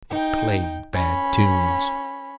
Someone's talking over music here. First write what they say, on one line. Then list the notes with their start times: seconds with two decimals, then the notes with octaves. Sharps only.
It played bad tunes.
0.11 D#4 G5
0.94 C#4 B5